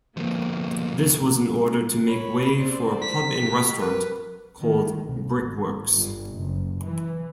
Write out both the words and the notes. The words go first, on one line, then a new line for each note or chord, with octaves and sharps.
This was in order to make way for a pub and restaurant called "Brickworks".
D2 F3 A#3
C#5 B5
C5 D5
B6
G4
A#4 B4
D#3
C2
G#1
G1
F#1
E3